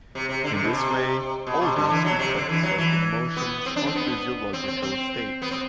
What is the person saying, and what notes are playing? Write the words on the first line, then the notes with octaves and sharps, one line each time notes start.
In this way odors reflect certain emotions or physiological states.
C3
C3
D3
C3
B2
C3
B2
C3
D3
E3
F#3
C3
D3
E3
F#3
E3
B3
C4
D4
C4
B3
C4
C4
C4
B3
C4